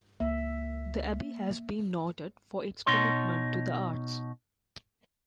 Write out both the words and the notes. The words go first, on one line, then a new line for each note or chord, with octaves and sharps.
The abbey has been noted for its commitment to the arts.
C#2 A#3 E5
B2 D#4 C#5 C6